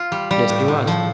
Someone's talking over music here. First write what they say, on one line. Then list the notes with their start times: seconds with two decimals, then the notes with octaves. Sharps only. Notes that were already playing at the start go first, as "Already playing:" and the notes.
Yes, he was.
Already playing: F4
0.12 G3
0.31 G3
0.49 A2
0.68 A2
0.87 F3